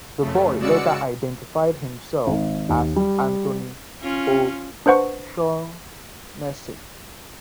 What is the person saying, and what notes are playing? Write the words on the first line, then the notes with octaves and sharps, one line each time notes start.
The boy later identified himself as Anthony O'Shaughnessy.
F2 C#3 A3
C#3 G#3 F#4 D5 E6 C#7
G#1
D#2
G3
C#4 F4
D4 B4 C5 F#5 C#6